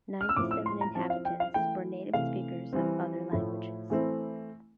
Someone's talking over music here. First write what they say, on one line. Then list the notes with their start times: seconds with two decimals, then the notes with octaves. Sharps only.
Ninety-seven inhabitants were native speakers of other languages.
0.21 F6
0.29 E6
0.36 A2 F3 C4 E4 D6
0.51 E6
0.66 C6
0.81 A#5
0.95 F3 C4 E4 A5
1.10 F5
1.25 G5
1.40 F5
1.54 E3 A3 E4 G5
2.13 C3 E3 A3 F5
2.73 E3 G3 C4
3.31 A2 F3 A3 E4
3.90 E3 A3 C4 E4